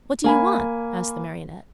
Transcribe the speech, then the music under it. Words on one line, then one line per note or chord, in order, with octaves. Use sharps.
"What do you want?" asked the Marionette.
A#3 G#5 B5